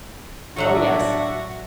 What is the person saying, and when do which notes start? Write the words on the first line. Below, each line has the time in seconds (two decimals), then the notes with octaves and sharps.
Oh yes!
0.57 A2 F#3 D4 F#4 E5 F#5